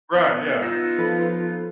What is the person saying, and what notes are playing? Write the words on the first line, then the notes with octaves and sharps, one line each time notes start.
Right, yeah.
B3
B3 D#4 F4 E6
F3 A4 B4